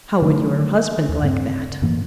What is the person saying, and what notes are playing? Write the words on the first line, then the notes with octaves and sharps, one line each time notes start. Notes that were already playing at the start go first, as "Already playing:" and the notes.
"How would your husband like that?"
D3 D#3 F#3 A3
D#2
G2 C#3 C4
F#2 A2 E3 A#3